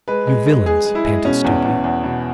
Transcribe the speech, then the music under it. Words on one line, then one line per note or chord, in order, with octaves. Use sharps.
"You villains," panted Stuteley.
G#3 B4
G#3
G#3
G#3 G#4
G#3
E4
G#3
B2 C#4
E2
E2
E2
B2